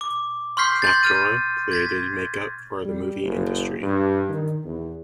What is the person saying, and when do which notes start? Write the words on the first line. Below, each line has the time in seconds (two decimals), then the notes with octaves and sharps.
Factor created makeup for the movie industry.
0.01 D6
0.57 C6 C#6 F6 G6 B6 C7
0.82 C6 G6 A6
1.03 F6 A6 D#7
1.72 G#6 A6 B6
2.85 G3
3.24 F#1
3.82 G2
4.29 D#3
4.65 E2